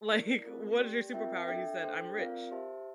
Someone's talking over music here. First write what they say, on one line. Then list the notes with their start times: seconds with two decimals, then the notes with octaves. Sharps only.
like, "What is your superpower?" he said, "I'm rich."
0.09 E4 A#4 D5
0.44 A3 C4 F4 A#4
0.78 G4 D5 G5
1.13 C4 F4 A#4 E5 G5
1.48 D4 A4 E5 G5
1.82 D4 A4 C5 G5
2.17 C4 F4 A#4 D5 F5
2.51 G4 C5 E5 A5